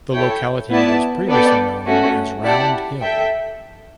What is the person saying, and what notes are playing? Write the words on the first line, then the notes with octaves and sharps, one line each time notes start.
The locality was previously known as Round Hill.
E4 A4 C#5 G5
B3 E4 B4 D5 A5
B3 D4 A4 D5 G5
A3 C#4 F#4
E4 G4 D5 F#5 A5
A4 E5 G5